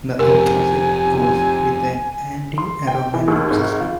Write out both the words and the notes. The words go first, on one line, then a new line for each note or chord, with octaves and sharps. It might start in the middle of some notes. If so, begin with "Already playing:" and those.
The opposite goes with an anti-aromatic system.
F1 C3 A#4 G#5
C6
G5
E3
D#2
G#1
F4